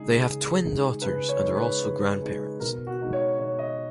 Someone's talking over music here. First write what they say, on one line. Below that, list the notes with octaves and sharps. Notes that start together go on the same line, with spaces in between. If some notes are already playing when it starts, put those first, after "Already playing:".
They have twin daughters and are also grandparents.
Already playing: C#3 G#3 D#4 G#4
C#3
G#3 D#4
C#3 B4
C#5
G#3 D#4
B4
C#3
G#3 D#4
B2 A#4
F#4
G#3 D#4
C#5
B2 C#5
D#5